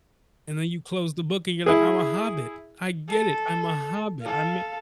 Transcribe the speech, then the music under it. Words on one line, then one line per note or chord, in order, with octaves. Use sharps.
And then you close the book and you're like, "I'm a hobbit. I get it, I'm a hobbit, I'm mean
E4 G#4
A4
A4 F5